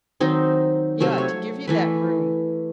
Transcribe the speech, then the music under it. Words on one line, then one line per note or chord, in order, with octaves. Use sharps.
He ought to give you that room.
D#3 F#3 C4 D#4
C3 F#3 A3
C#5
E3 A3 B4